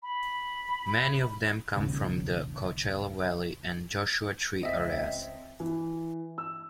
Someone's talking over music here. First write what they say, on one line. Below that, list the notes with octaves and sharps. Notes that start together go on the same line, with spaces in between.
Many of them come from the Coachella Valley and Joshua Tree areas.
B5
E1 A#1 D#2 C#3
C#2 C4 D#5 E5
E3
E6